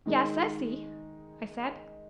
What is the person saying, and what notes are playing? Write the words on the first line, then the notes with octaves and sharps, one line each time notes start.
"Yes, I see," I said.
D#3 G#3 D#4